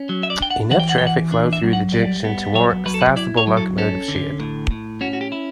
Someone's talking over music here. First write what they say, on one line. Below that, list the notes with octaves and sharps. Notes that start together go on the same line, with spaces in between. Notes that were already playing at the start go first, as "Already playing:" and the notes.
Enough traffic flowed through the junction to warrant a size-able locomotive shed.
Already playing: C#4
F#3
E5
D5
D4 G5
F#5
E3 F#5
G5
F#5
E3 G5
F#5
D4
E5
F#3
F#5
G3 D5
B3
F#3 C#5
F#3 B4
A4
B4
E4 D5
C#5
F#3
A4
C#4 A4
D3
A2
A2
C#4 F#4
F#4
G4
E4